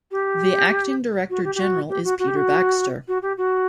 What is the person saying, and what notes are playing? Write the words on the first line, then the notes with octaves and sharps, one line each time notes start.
The Acting Director General is Peter Baxter.
G4
F#4
G4
G4
F#4
G4
F#4
F#4
G4
F#4
F#4
G4
F#4